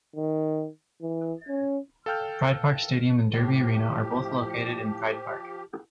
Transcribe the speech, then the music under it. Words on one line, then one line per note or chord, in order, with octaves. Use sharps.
Pride Park Stadium and Derby Arena are both located in Pride Park.
D#3
E3
C#4
A4 F5 G5 F6 G6
A2 F3 G4